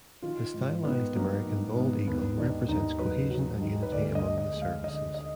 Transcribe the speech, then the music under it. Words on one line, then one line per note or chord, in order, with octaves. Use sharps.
The stylized American bald eagle represents cohesion and unity among the services.
D#3 F4
G#2
D#3 B3
F#3 A#3
G#2
G#2 B3
D#2 B3
D#3 D4
D#2 D#4
F#3 B4
F#3
D#3
B4
D2 D5
D#5
D2
D#5
G#3
F5
D3 D#5
D#5